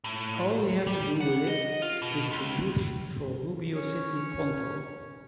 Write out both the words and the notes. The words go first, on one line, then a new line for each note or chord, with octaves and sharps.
All we have to do with it is to push for Rubio City pronto.
A2
G3
F#5
D#5
F4
B2
C#2
C#4 C#5